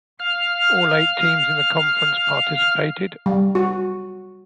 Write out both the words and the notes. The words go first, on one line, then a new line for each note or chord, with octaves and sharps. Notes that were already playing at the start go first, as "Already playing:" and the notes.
All eight teams in the conference participated.
F5 F6
G3
F#4